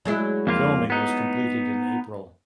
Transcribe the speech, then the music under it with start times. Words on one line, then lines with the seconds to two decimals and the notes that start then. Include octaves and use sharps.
Filming was completed in April.
0.05 F#3 G#3 E4
0.47 F2 A#3 F4
0.90 B3 D#4